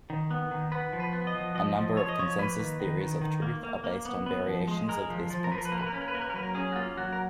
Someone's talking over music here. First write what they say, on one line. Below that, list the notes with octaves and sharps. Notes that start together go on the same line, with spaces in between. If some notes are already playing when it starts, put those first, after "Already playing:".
A number of consensus theories of truth are based on variations of this principle.
D#3
B3
D#3
B3 B4
F3
B4
B3
D#5
F3
F3 D#5
F3
F3 C#5
D#5
F3 C#5
A#3 B4
D#3
D#3
D#3
D#3
A#3
A#3
A#3
B3
B3
F3
G#3
G#3 A#4
F3
F3
A#4
F3 B4
A#4
B4
A#3 A#4
B4
A#4
C#4 B4
A#4
B4
A#3 A#4
B4
A#4
F#3 B4
A#4
C#4 G#4
F#4
A#3 F4
F#3 F#4
A#4